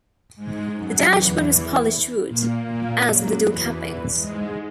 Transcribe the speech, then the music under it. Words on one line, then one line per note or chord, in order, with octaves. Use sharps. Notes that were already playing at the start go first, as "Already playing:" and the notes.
The dashboard was polished wood as were the door cappings.
G#2 G#3
F#2 F#3
E2 E3
A#2 A#3
A#2 A#3
F#2 F#3
E2 E3
G#2 G#3